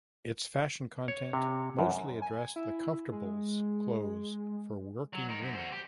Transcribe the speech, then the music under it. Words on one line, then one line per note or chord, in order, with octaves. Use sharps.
Its fashion content mostly addressed the comfortables clothes for working women.
C#5
C3
F#2
G#5
E4
G#3
F#3
D#4 A#4
F#2
F#4 C5
G4